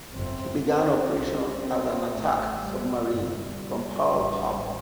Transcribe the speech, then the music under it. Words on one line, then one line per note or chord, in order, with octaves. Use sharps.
She began operations as an attack submarine from Pearl Harbor.
G1 F2 C3 C4
C4
C2 C3
C4
A1 A2 A3
G3
G1 F2 C3 G3
A1 G2